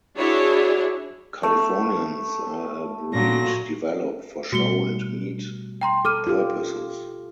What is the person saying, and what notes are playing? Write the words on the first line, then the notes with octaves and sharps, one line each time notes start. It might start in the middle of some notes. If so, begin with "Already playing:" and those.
Californians are a breed developed for show and meat purposes.
D4 E4 F#4 G#4 C#5
A3
A#2 F#3 A#6
B2 G3 A3 F#4 C#7 G7
G5 A#5 C6
A4 D6 F6 D#7
F4 G4